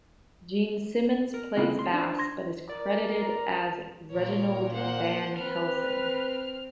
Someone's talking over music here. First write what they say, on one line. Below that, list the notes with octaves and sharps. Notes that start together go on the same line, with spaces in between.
Gene Simmons plays bass but is credited as Reginald Van Helsing.
A#4
C#3 A#3 C4 E4 F4
C6
D4 C5
C6 G#6 A#6
A#4 D5
A#5
A#2 A#4 C#5
A#3 C5 F#5
C4 B4 F6